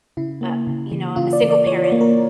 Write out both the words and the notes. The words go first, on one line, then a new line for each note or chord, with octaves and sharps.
uh you know, I'm a single parent
C#3 E4
A#3
C#3
E3
C#3 F4
D5
E3
D5
E3 C#5
C#5
A#3
A#4